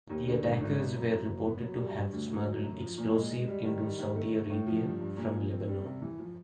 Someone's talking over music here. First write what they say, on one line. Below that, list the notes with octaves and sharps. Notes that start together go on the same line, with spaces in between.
The attackers were reported to have smuggled explosives into Saudi Arabia from Lebanon.
D#2
D3
G#1
G#1
B3
F#2
F#2
F#1
B3
F#3
G3
G2
D2
D2
F#3
F#2
F3
A#2
G#3
G#3
G3
D#3
G3
D#3
A3
A3
A2
F3
G2
G2
A#2
F3
C4
G3
C3
E3
F3